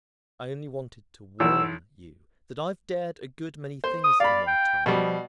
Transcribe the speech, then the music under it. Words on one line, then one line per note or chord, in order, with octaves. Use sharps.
I only wanted to warn you that I've dared a good many things in my time.
B1 E2 E6
C5
D#6
D5 F5 B5
G5
B2 F3 G3